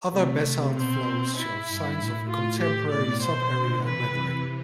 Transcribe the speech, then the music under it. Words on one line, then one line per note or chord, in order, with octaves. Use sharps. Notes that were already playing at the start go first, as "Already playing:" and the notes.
Other basalt flows show signs of contemporary sub-aerial weathering.
C3 A3
C3
B2 C4
E4
G2
A2
A2 F4
A2 G4
B2 D5
B2 C5
D3
C3 E3 B4
C3